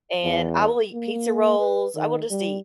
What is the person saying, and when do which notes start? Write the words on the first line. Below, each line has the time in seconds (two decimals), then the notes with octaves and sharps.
and I will eat pizza rolls, I will just eat,
0.23 E2
0.93 A#3
1.59 B4
1.95 D#3
2.31 G3